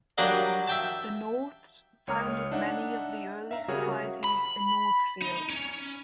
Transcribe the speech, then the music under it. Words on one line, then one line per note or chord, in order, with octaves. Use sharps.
The Norths founded many of the early societies in Northfield.
F#3 G3 A#3 D4 D5 D#5
E5 G5 A5
C#2 C#5 D#6 F6
D4 D#4 E5 F#5
E5 F5 A#5
C#3 G3 F#4 G#4 A#4 C#5
B5
D#4
C#4